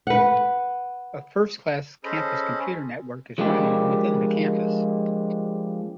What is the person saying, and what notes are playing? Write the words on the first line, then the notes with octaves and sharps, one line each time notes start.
A first-class campus computer network is running within the campus.
B4 F#5
C#4 G#4 A4 C5 D#5 B5
F3 G#3 A#3 D4 G4